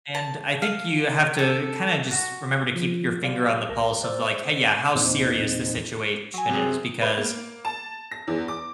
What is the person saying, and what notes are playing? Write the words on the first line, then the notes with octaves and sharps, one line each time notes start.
And I think you have to kinda just remember to keep your finger on the pulse of, like, hey, yeah, how serious the situation is, because
A5
F5
A4
F#4
F3 F4
F#3 G4 D5 F5
B1 A#4 A5 A#6
C5 D5 E6
E2 A#2 C4 D#4
F#3 G#5
C3 C4 G#4
B4
A#3
A5
A#6
E2
D6